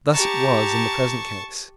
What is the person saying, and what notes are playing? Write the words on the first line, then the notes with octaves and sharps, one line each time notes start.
Thus it was in the present case.
G4 A5 A#5 C#6